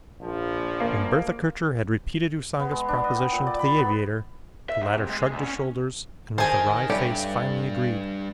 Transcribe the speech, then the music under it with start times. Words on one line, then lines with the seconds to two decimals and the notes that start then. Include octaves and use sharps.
When Bertha Kircher had repeated Usanga's proposition to the aviator, the latter shrugged his shoulders and with a wry face finally agreed.
0.21 A#1 F3
0.80 A#3
2.60 B3
2.71 G#3
2.88 D4
3.04 D#5
3.16 G5
3.33 A#2
3.47 D5
3.59 B5
3.78 B3
4.69 E5
4.81 G#2
4.98 C3
5.10 G#3
5.31 D2
5.42 C#4
6.38 D#3 D#4 G#4 C5 G#5 A5
6.90 G2 E3 G4 A4 C#5 D5